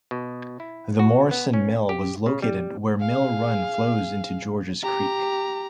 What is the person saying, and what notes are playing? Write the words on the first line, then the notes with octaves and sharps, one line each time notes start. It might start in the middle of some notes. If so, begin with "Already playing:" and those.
The Morrison Mill was located where Mill Run flows into Georges Creek.
B2
E4
F#4
B3
C#4
G4
C#3
G3
G#4 F5
G4 A#5